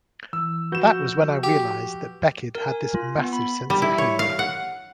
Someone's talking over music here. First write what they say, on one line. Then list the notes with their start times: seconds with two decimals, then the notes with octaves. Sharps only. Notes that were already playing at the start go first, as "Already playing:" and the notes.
That was when I realised that Beckett had this massive sense of humour.
0.33 E3 E6
0.72 F3 F#4 B4 G6 E7
1.43 G4
2.55 A#4
2.69 G#5
2.95 F4
3.18 B3
3.33 B5
3.70 G3
3.82 E4
3.98 C#5
4.19 F5
4.39 F#5